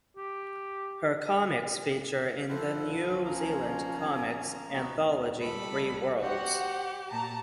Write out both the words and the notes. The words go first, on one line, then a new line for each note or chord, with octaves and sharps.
Her comics feature in the New Zealand comics Anthology "Three Words".
G4
F3 E4 A4 C5 F#5
A#3 C#4 A#5
B3 D#4 F#4
G3 A4 B5
F#4 G4 C5 F#5
A#2 A5 A#5